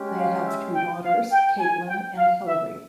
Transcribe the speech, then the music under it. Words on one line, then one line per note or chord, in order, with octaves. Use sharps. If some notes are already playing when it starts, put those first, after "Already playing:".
They have two daughters, Caitlin and Hillary.
Already playing: G#3 C#4 G4
F5
E5
G5
F5
G5
G#5
G5
F5
E5